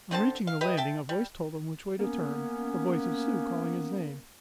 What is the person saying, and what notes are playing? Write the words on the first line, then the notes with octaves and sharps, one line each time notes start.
On reaching the landing a voice told him which way to turn--the voice of Sue calling his name.
D3 C4 C5 A5
F5
G4 B4 D#5 E5
E5 G5 A5
G3
A#3 B3 C#4